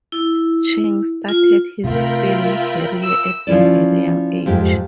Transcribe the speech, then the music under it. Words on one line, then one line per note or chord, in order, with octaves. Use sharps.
Chang started his film career at a very young age.
E4
F4
C3 A3 F4 A#4 E5 G5 B5
E6
F3 C#4 E4 D5
F2 G#2 G4